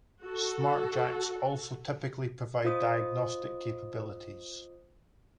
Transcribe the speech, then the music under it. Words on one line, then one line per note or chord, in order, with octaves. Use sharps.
Smartjacks also typically provide diagnostic capabilities.
F#4 A4
F4 C5 D#5 D#6